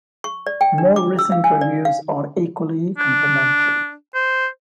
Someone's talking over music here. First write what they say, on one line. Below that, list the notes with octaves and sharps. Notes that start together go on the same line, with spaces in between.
More recent reviews are equally complimentary.
C#6
D5
G5
D4
D6
E6
F5
G#5
D5
F5
D4
C5